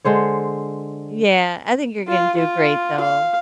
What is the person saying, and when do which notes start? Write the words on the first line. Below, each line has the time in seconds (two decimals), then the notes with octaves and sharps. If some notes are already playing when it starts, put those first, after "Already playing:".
Yeah, I think you're gonna do great though.
0.04 D3 G#3 C5 C#5
2.08 F4
2.38 F4
3.00 F5